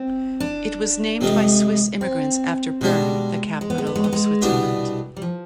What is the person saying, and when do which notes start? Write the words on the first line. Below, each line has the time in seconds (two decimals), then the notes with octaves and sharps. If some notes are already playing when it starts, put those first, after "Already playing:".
It was named by Swiss immigrants after Bern, the capital of Switzerland.
Already playing: C4
0.40 D4
1.21 F2 C3 F3 G#3
2.01 C4
2.81 B2 G3 G#3 D4
3.61 G#3
3.70 B3
3.78 G#3
3.87 B3
3.96 G#3
4.04 B3
4.13 G#3
4.42 C2 B2 B3 D4
5.17 G3
5.22 F3